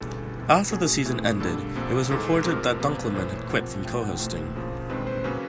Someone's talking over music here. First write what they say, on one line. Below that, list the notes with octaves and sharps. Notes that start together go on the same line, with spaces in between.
After the season ended, it was reported that Dunkleman had quit from co-hosting.
D2 C#3 E3 G3 A4
C2 C3 E3
B2 F#3 A3 C#4 G#4
A2 E3 A3 C4
G2 D3 G3 A#3 A4
C2 C3 F3 A#3
G#2 E3 G#3 A4
F2 C3 F3 A#4
E2 C3 F3 A#3 B4
A2 E3 A3 C5
C#5
C3 F3 A#3 F#5
A2 F3 A3 G5
F#5
F2 C3 E3 A3 C5
D2 C#3 F3 A#3
G2 D#3 G#3 C4 B4
C5
C#3 F#3 A#3 C#4 B4